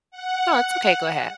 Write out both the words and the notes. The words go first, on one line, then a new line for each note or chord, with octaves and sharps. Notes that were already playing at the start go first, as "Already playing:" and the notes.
No, it's okay go ahead.
F#5